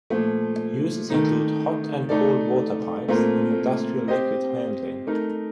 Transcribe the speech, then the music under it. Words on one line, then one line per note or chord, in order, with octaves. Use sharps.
Uses include hot and cold water pipes, and industrial liquid handling.
A#2 F3 A3
D#3 A3 D#4
A3 D#4 A4 D5
A#2 A3 C4 F4 A#4
C4 G4 C5 D#5
A3 D#4 A#4